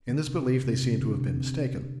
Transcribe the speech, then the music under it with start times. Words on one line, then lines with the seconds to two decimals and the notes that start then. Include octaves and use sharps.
In this belief they seem to have been mistaken.
0.09 D3
0.27 C3
0.45 D3
0.64 C3
0.83 C3
1.01 D3
1.20 C3